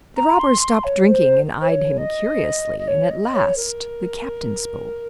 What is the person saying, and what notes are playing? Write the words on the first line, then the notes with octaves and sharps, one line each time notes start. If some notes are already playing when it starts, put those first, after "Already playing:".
The robbers stopped drinking and eyed him curiously, and at last the captain spoke.
A#5
C6
C6
C#5
C5
C5
C#5
D#5
D#5
C#5
D#5
C#5
A#4